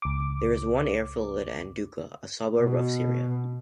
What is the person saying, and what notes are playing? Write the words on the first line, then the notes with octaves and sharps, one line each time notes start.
There is one airfield at Anduki, a suburb of Seria.
C#2 D6
B2